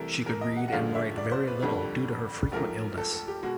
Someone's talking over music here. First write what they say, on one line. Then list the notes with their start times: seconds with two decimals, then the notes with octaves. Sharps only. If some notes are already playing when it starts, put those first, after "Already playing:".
She could read and write very little due to her frequent illness.
Already playing: C2 C3 E3 A3 A#4
0.26 A#4
0.41 D#5
0.56 F#5
0.68 F#5
0.72 G1 F#2 D3 F3 G#3 F5
0.95 E5
1.18 D5
1.32 C5
1.47 B4
1.62 G1 F2 D3 G3
2.52 A#1 G#2 F3 A3 A#4
2.98 A4
3.13 A4
3.28 G4
3.43 B2 G#3 F#4